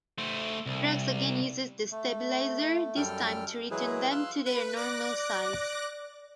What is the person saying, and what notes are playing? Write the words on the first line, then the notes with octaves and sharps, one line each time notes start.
Drax again uses the stabilizer, this time to return them to their normal size.
A3 C5
C2
A3
F#2 G3 A4 G5 F6
E3 F#3 G#3 E4 G#4 B4
F5 C6 E6 F#6
B4
D5 D6 F#6 A#6